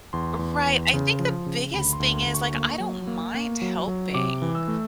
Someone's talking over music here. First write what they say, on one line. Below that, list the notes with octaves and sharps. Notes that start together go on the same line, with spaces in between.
I right, I think the biggest thing is, like, I don't mind helping,
E2 C6
E2
E2
C#3
F3
C#3
D2 B5
C6
D2
C6
D2
C#6
A#3 C#6
F#3
A#3
A#3
F#3
F#3
C3 D6
E3
E6
A3